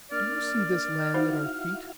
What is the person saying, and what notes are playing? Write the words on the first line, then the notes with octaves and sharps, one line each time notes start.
'Do you see this land at our feet?'
A#3 D4 D5 F6
D#4 E4 F#4 C5 F5